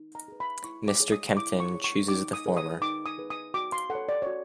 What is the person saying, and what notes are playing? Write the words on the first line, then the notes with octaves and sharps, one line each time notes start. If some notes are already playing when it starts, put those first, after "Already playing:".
Mr. Kempton chooses the former.
Already playing: D#4
A#5
G#4 B4
B5
E4 C#6
D6
G#4 C#5
D#6
E4 D6
C#6
G#4 C#5
C#6
D#4 D6
D#6
G#4 B4
D#6
D#4 D6
D#6
G#4 B4
D#6
F#4 D6
C6
A4 F#5
C#5
D5
F#4 C#5